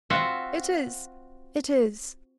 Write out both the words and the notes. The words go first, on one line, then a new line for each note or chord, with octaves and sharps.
'It is--it is!
C4 F4 F#4 E5 F#5